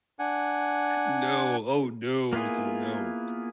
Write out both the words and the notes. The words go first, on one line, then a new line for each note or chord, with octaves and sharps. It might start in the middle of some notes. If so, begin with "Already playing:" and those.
No, oh no, so no.
D4 F#5 G#5
A#3 B3 E4 F4 G#4